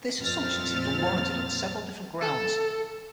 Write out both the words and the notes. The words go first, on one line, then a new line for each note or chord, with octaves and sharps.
This assumption seems unwarranted on several different grounds.
F2 A#2 C4 F6 A6
A4